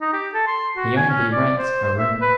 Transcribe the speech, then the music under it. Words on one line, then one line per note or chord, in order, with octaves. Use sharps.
He only rents a room.
D#4
G4
A4
C6
F#4
G#5
C#4
D5
C5
C5
E5
B4